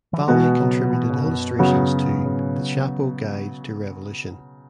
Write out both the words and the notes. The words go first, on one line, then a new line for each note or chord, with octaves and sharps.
Valley contributed illustrations to "The Chapo Guide to Revolution".
E3
F#3
B2 E3 G#3 B3 F#4
C#3 F#3
C#3
B2 E3
G#2 C#3
F#2 B2
C#3 F#3 B3 F#4
G#2 C#3